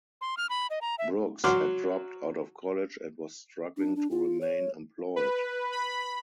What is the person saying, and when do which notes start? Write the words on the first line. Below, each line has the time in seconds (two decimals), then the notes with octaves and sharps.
Brooks had dropped out of college and was struggling to remain employed.
0.21 C6
0.37 F6
0.50 B5
0.70 D#5
0.81 A#5
0.99 E5
1.44 F#3 F#4 C6 D6 F6
3.77 D4
3.96 D4
4.11 F4
4.41 C#5
5.16 B4
5.72 B5